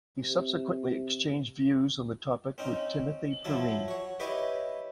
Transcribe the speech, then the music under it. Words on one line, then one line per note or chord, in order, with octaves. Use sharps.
He subsequently exchanged views on the topic with Timothy Perrine.
C3
C4 C#4 D#4
F3 F#3 E4 A5
F#4 C#5
E4 G4 B4 C#5 D#5